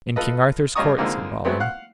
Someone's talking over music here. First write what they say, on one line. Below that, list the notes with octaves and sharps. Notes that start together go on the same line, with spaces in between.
In King Arthur's court, said Balin.
F4 A4 B4 D#5
G2 C#4 D#5 A#5 C#6 D#6
F2 D3 G#3 A#3 C4 D#4
F#3 G#3 A3 B3 C4
F5 F#5 F#6